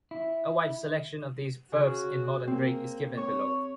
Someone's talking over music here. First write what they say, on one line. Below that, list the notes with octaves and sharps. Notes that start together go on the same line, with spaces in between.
A wide selection of these verbs in Modern Greek is given below.
E4
C#3 F#4
A#3 C4
C#5 C#6